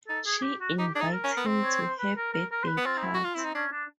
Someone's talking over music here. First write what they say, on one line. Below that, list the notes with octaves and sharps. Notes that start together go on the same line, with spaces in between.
She invites him to her birthday party.
D#4 A4
G#4
G#4
G4
F#4
D#4 G4
D4 G#4
D#4
A4
A#4
C#4
A#4
B3
C4
C#5
C5
B4
A#4
A#4
A#4
C5
B4
B3
C4 F4
D#4
E4
F#4
F4
C4 E4
D#4
C#4 D4
D4